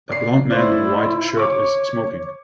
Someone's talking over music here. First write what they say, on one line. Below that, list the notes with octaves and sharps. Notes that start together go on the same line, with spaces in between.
A blond man in a white shirt is smoking.
D5 C7
A2 E4 C5 D5
C#5 C#6 D6